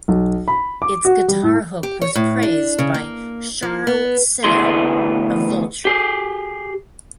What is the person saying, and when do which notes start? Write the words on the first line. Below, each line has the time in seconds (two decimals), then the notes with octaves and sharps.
Its guitar hook was praised by Charu Sinha of "Vulture".
0.08 B1
0.48 B5
0.82 D6
1.05 F#4
1.28 G3
1.43 A2
1.83 G4
2.02 C#5
2.15 A2
2.43 D4
2.79 C#3
2.94 A#3
3.62 F3
3.87 B3
4.44 D2 A2 E3 B3 G#4 C6
5.85 G4 G#4